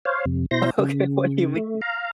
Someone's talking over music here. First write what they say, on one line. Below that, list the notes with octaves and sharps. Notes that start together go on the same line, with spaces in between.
Okay, what do you mean?
C5 C#5 F5
F2 C3
B2 E4 C5 C6 A#6
C#3
A3
F5 A#5